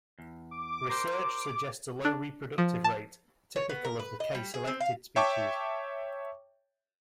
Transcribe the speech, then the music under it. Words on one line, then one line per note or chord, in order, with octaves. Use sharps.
Research suggests a low reproductive rate, typical of the K-selected species.
E2
D6
A#4 C5 G5
D6
D4
F3
A5
C#5
B3
A#4
B4
D#5
G3
G#4
C4
F5
C#5 E5 G5 A5 C#6 D6